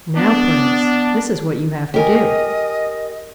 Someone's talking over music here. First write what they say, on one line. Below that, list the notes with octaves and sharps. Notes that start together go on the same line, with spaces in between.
'Now, Prince, this is what you have to do.
B3 D4
G4 A#4 D#5 G#5